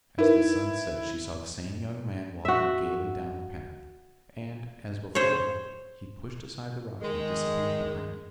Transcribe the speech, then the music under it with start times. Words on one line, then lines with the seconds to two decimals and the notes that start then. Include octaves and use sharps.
As the sun set she saw the same young man walking gaily down the path, and, as before, he pushed aside the rock and disappeared behind it.
0.19 D#4 E4 A#4 B4
2.45 F#4 E5
5.15 C5 C#5
7.01 D#3 G#3